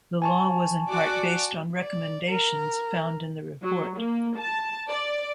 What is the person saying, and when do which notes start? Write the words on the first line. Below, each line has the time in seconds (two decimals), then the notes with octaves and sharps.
The law was in part based on recommendations found in the report.
0.22 G#5 A5 C#6
0.88 F#4 D5 D6
1.78 D5
2.29 A#4
3.63 F#3
3.97 A#3
4.39 A5
4.91 D5